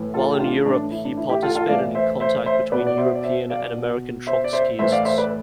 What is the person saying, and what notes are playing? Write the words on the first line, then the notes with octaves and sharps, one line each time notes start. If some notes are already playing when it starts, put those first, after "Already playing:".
While in Europe, he participated in contact between European and American Trotskyists.
Already playing: A2 E3
F4 A4
G4
D4 F4
A2 E3 D4
E4
D4
E4
E4 G4
F4 A4
F4 A4
A2 E3 D5 F5
C5 E5
C5 E5
C5 E5
B2 B4 D5
D5
C5 E5
D5
C5 E5
D5 F5
B2
C5 E5
D5
C5 E5
A2 E3 C5 E5
D5 F5
C5 E5
B4 D5